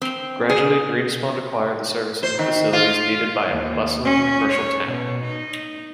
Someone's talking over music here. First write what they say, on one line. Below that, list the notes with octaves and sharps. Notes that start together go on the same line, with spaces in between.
Gradually Greenspond acquired the services and facilities needed by a bustling commercial town.
C4
G#4
C5
D#3
F4
D#2
C#4
C#5
B2
D#4